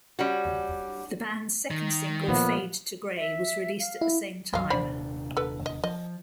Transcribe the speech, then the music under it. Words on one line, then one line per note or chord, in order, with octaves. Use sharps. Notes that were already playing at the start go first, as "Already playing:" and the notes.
The band's second single, "Fade to Grey", was released at the same time.
G3 C#4 F#4
D#3
A#2 F3 B3
E5
F5
E4
C#2 G2 F#3 D#5 F5
D#1 C3 D4 C5 D5 B5
A4 B4
D#5
F3 D#5